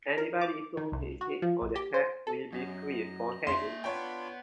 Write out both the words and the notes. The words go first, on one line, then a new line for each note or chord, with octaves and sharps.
Anybody whom he hits on the head will be free from headache.
A#4
D6
D#3
C2
F#4
F3
A#1
G4
C5
A4
F#2 D#5
A#3 D4 E5 C6
B3 D4 F4 C#5 G5 B5